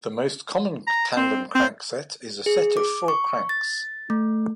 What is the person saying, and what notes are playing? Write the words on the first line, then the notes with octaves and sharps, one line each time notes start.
The most common tandem crankset is a set of four cranks.
A#5
C4 C5
C4 C5
G#4
D6
C#6
A6
A3